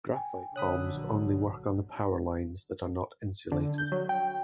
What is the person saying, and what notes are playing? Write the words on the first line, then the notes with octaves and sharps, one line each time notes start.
Graphite bombs only work on power lines that are not insulated.
G5 G#5
D3 C#5 B5 D#6 F#6
A#1 F#3
D3
G6
F#3
G5